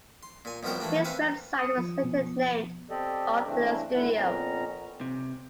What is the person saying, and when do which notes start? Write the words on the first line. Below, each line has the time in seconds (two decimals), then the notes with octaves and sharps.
His website was later named after the studio.
0.23 C6
0.45 A#2 G#5
0.63 C2 B2 F3 F#4 A#4 G5
0.80 E3 A3 A#3 D4
1.05 C4 B4 F5 G#5 A#5
1.59 D#6 C#7
1.78 F3
2.04 B2 B3
2.90 C4 G4 A4 D5 D#5
3.46 C#3 E3 A3 C4 D4
3.94 D2 G#2 D3 E4 F#5
4.16 F2 A#2 B3 C#4 A#5
5.01 C3